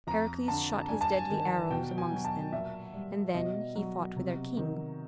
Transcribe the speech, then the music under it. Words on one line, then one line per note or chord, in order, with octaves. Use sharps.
Heracles shot his deadly arrows amongst them, and then he fought with their king.
F2 A#5
D3 A5
G2 G#5
A5
G#5
D#3
B2 G5
G#5
F#3
A5
A#2 E5
G3
B2 D#5
F#3
C3
D#3